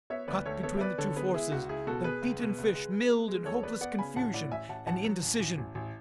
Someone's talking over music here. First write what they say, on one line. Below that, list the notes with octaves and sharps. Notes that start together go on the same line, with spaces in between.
Caught between the two forces, the beaten fish milled in hopeless confusion and indecision.
B3 C#5 E5
D2 B4 D5
D2 A4 C#5
B3 A4 C#5
E5
B3 B4 D5
D3 A4 C#5
B3 G#4 B4
G#3 E4 G#4
C#2 F#4
C#2 E4 G#4
B2 F#4 A4
B3 G#4 B4
C#2
B2
C#2
G#3
G#3
B3
G#3
E2 A4 C#5
B3 B4 D5
B3 D5 F#5
C#3 G#5 B5
A1 F#5 A5
A2 D5 F#5
A1 E5 G#5
A1 F#5 A5
A1 F#5 A5
F#3
A1
A1
A1
A1